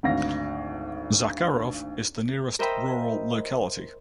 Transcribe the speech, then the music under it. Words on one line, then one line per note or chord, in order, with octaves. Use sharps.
Zakharov is the nearest rural locality.
G#1 D2 F5 A#6
A#4 C5 D#5 E5 G5 B5